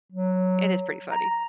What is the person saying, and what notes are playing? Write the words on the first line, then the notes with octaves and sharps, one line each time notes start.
It is pretty funny.
F#3
A#5